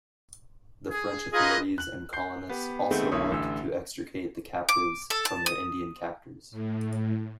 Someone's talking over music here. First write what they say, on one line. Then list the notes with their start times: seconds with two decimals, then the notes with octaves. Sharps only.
French authorities and colonists also worked to extricate the captives from their Indian captors.
0.90 G#4
1.33 D#4 F4 G#4 B4 D#5
1.78 F#6 F#7
2.13 G6 C7
2.49 B3 G4
2.91 D#3 G#3 A3 B3 C4
3.12 B1 D3 A#3 E4 C#5 D#6
3.32 A1 D3 E6
4.69 D6
5.10 A4
5.25 A5
5.46 D#6
6.51 A2